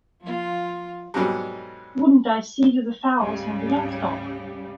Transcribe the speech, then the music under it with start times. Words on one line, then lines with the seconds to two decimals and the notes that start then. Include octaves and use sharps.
Wouldn’t I see to the fowls and the young stock!
0.21 F3 F4
1.14 G#2 B2 D3 F#3 G3
3.17 D2 G#2 C#3 G3